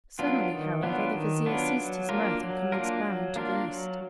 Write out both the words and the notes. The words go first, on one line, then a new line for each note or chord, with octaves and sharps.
Suddenly, however, the Vizier ceased his mirth, and commenced bowing to the east.
F#3 B3 D4 F4
D#3
F#3 B3 D4 F4
D#3
F#3 B3 D4 F4
F#3
A#3 D4 F4 A#4
F#3
A#3 D4 F4 A#4
F#3
A#3 D4 F4 A#4
F#3